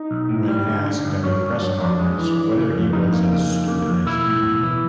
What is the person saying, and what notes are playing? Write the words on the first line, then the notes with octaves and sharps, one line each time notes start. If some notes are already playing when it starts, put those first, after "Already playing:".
When asked at a press conference whether he was as stupid as B.
Already playing: D#4
B1
A2
G3
D3
D3
G2
F#3 C#4
G2
D4
F#3
F2 D4
G#3
E3
E3
C#3
F2
F2 D#4
A#3
C#3
F2
A#3
F2
B1 E4
A2
B1
E3